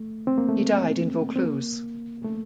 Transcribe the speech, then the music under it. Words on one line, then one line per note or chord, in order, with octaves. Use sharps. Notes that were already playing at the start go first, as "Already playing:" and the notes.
He died in Vaucluse.
Already playing: A3
C4
A#3
A3
C4
A#3
A3